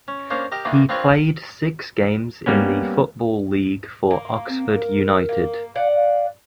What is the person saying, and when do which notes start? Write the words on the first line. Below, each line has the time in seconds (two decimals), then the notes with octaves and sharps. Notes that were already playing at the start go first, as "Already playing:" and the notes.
He played six games in the Football League for Oxford United.
0.08 C#4
0.30 A#3 C#4 D4 C5
0.52 G4 A#4 D#5 G5
0.65 D#3 E3 A#3 D4
0.89 C4 D4 F4 A#4 B4 C#5
2.46 G3 A#3 B3 C#4
4.11 A#3
4.49 C4
4.74 A#4
5.29 A#3
5.75 D5 F5 F#5
5.96 F5